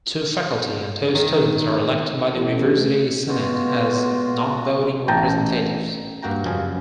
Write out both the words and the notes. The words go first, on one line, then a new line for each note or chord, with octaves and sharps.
Two faculty and two students are elected by the University Senate as nonvoting representatives.
D#3
A1
G#3 B3 F4 F#4
A1 G5 A5 A#5
G2 A#3 F#4 G5 A#5
F#2 C#3 F3 G3 F4 G#4